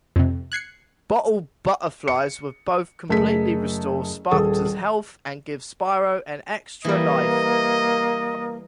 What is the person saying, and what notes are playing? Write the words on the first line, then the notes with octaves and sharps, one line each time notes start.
Bottled butterflies will both completely restore Sparx's health and give Spyro an extra life.
F2 C3
F#6 G#6 C7 C#7
C#7
F#1 A3 G#4 B6
D#1 G#4 A4 D#6
E3 G3 A#3 D#5